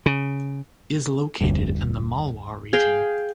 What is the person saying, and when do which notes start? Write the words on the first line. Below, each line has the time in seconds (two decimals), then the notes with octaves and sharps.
It is located in the Malwa region.
0.06 C#3
1.41 F1 D2 G2
2.73 G#4 F5 G5